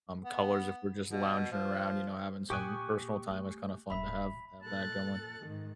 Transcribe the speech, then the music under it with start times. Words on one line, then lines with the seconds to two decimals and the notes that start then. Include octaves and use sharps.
um, colors if we're just lounging around, you know, having some personal time, it's kinda fun to have have that going,
0.24 B3
1.12 B2
1.52 F3
2.50 A#2 G4 G5 G#5 C#6 D#6 F#6
3.30 A3
3.90 D#1 E5 B5 B6
4.63 A#2 A4 F#6 A6
5.42 G#2 D#3